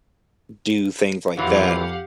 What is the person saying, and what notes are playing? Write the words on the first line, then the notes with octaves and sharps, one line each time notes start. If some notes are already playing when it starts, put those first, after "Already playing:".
do things like that,
F2 A#2 E3 F#3 G4 F5 F#5